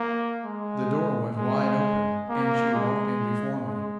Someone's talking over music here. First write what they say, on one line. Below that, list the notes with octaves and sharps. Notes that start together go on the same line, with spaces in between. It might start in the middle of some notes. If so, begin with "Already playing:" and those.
The door was wide open, and she walked in before me.
Already playing: A#3
G#3
G#3
A#3
G#3
G#3